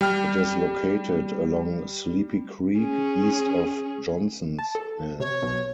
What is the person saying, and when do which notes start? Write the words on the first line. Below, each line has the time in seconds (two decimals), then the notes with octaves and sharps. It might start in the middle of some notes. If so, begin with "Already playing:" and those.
It is located along Sleepy Creek east of Johnsons Mill.
0.01 G3 G5 F6
2.80 C#4 G#4
4.59 A5
4.75 A4
5.20 C3 C#5
5.42 B1 B2